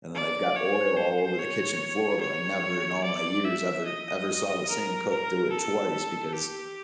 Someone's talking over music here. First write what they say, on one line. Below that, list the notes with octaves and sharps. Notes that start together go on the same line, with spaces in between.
and then they've got oil all over the kitchen floor, but I never in all my years ever ever saw the same cook do it twice because
D5
C#5
C5
C#5
C#5
D5
E5
D#5
A#4
A#4
A4
G4